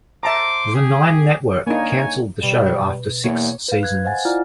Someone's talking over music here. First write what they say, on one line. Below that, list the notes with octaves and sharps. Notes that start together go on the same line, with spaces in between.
The Nine Network cancelled the show after six seasons.
C5 E5 A5 A#5 C6 D6
G4 G#4
A#3 D4 D#4 C#5 G#5
B2 G3
E2 A#3 C#5
B4 F5
F#6 G#6
C5 D#5 F5 F#5 G#5 A6
E4 F4 D5 A#5 F6